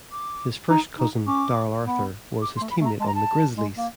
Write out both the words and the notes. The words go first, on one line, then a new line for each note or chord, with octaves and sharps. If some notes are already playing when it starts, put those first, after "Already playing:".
His first cousin Darrell Arthur was his teammate on the Grizzlies.
D6
D#4
D#4
C#4 D6
B3
D6
C6
A3
B5
A3
A#5
G#3 A5
A#5
A5
G#3
A#3